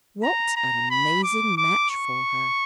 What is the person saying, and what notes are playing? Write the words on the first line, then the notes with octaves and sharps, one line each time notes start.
What an amazing match for her!
A#5
A#5
B5
D6
D6
C#6